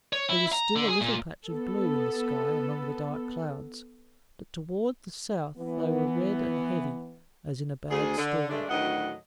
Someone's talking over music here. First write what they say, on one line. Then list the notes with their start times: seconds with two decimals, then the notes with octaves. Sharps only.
There was still a little patch of blue in the sky among the dark clouds, but toward the south they were red and heavy, as in a bad storm.
0.13 C#5
0.29 E4
0.53 A#5
0.76 D3
0.89 G#4
1.01 A#2
1.49 B3 A4
5.57 E3 B3
7.90 D2 G#4
8.18 D3
8.50 G2 D3 G#3 A3 D4
8.70 D2 A2 D#3 F#3 D#5 F#5